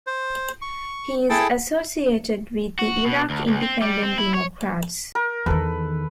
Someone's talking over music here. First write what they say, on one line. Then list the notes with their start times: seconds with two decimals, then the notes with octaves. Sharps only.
He is associated with the Iraqi Independent Democrats.
0.07 C5
0.62 C#6
1.30 E4 G#4 A4 G5 A5
2.79 F#4
3.06 B2
3.30 D2
3.48 C#2
3.62 C4
3.82 G3
4.03 C4
4.18 E4
4.34 C#5
5.15 A#4
5.46 E2 D#3 A4 B4